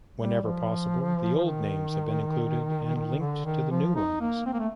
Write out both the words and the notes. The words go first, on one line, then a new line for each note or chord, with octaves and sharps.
Wherever possible, the old names have been included and linked to the new ones.
G3
F3
D#3
D#3
D3
D#3
F3
D#4
A#3
C4
A#3
A3